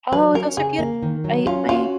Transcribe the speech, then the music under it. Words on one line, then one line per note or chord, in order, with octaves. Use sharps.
Oh, those are beautiful. I My
F#3 B4
C#4 A#4
C#3 G#4
A#3
D#3
F#3
C#4 F4
F4 F#4